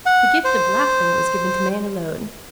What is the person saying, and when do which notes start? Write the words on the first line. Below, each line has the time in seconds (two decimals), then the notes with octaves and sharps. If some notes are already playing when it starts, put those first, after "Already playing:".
The gift of laughing was given to man alone.
0.06 F#5
0.44 C5